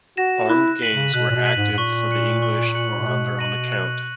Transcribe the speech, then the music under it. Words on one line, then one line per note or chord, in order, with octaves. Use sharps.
Armed gangs were active for the English or on their own account.
F#4 A#6 E7
E4 F#6
B6 D#7 F#7
C#3
B2 F#6
A#2
B2
B6 D#7 F#7
G#2
G#2
A#2 C#6
F#6 C#7 F#7
C#6
F#6 C#7 F#7
A#2
B2 F#6
A#6 D#7 F#7
F#6